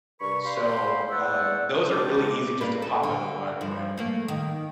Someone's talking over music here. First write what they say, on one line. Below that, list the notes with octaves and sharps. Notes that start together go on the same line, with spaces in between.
so, um, those are really easy just to pop into the microwave.
G2 C3 A#4 B5 C#6
D5 F5 G5 B5 C6
E2 C#5 D5 F#5 G5 E6
G#2 G#3 D4 G5 A5 D6
A#3 D4 B4
A4
D3
G2 F3
A3 A#3
D#3